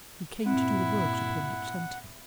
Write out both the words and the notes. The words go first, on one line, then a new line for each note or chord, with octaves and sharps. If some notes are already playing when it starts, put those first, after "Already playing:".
He came to do the works of him that sent him.
G2 A#2 C4 E4 F#5